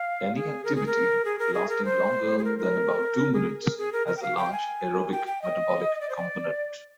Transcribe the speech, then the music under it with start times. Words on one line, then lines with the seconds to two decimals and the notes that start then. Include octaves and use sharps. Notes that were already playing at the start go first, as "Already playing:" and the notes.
Any activity lasting longer than about two minutes has a large aerobic metabolic component.
Already playing: F5
0.35 G#4
0.65 A#4
0.76 G#4
0.87 A#4
1.25 G#4
1.39 A#4
1.54 G#4
1.69 A#4
1.85 C5
2.38 G#4
2.44 A#4
2.59 A#4
3.33 G#4
3.63 A#4
3.78 G#4
3.93 A#4
4.07 A#4
4.17 G5
4.22 F5
4.37 G5
4.53 G#5
5.12 G5
5.27 G5
5.42 D#5
6.01 D5
6.10 C5
6.16 D5